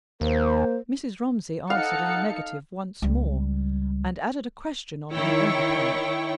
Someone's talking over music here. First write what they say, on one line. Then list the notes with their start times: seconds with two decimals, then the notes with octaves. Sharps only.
Mrs. Romsey answered in the negative once more, and added a question on her own account.
0.21 D#2 A#3 C5
1.70 D#4 A4 F5 F#5 C#7
3.02 C#2 G3
5.13 D#3 E4 C#5 G5 C#6